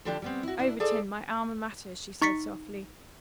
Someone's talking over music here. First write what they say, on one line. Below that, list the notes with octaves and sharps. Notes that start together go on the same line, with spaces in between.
"Overton, my Alma Mater," she said softly.
D2 D3 F3 D4 G4
G3 B3 C4
E4 F#4
B2 D4 E4
G#4 A4 C5 D5 F5
D#4 C#6 A6 B6 C#7